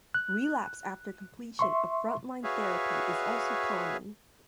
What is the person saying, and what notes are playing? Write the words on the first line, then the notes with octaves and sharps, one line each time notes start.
Relapse after completion of frontline therapy is also common.
F#6
E5 C6 C#6
F#4 G#4 B4 C#5 E5 F5